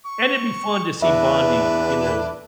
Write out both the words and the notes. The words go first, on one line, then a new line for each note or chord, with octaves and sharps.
And it'd be fun to see Bondi, you know,
C#6
E2 D4 B4 E5